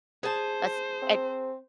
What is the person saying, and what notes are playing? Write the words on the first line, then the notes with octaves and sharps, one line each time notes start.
that's eh
G#4 C5 A5
C4